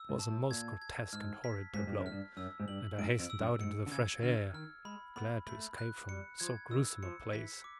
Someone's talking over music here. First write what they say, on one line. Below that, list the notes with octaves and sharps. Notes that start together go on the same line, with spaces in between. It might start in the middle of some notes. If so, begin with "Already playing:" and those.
It was a most grotesque and horrid tableau and I hastened out into the fresh air; glad to escape from so gruesome a place.
Already playing: E6
G#2
A5
A2
A#2 G#6
G#6
G#2 F6
B6
G#2 B6
G2
F#2
F6
G2
F#2 E6
G#2
G2 F#7
G#2 D7
F2
E6
F#2
G#2 C#7
D3
C#3 G#6
D3 F6
D#3 F6
G#3 B5
B3 B5
A3 B5
F#6
G3 C#7
F3 G#6
D#3 E6
F3 C#7
E3 B6
D6